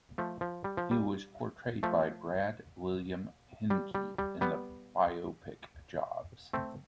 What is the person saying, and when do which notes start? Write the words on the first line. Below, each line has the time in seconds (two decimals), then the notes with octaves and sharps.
He was portrayed by Brad William Henke in the biopic "Jobs".
0.18 F3 A3
0.41 F3
0.64 G3
0.77 F3
0.91 G3
1.83 F3 A3
3.70 G3
3.95 G3
4.18 G3
4.41 G3 B3
6.53 A3 C4